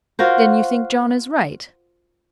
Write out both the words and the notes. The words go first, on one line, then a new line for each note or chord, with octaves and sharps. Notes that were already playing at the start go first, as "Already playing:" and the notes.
"Then you think John is right?"
F4 F#4 A#4 C5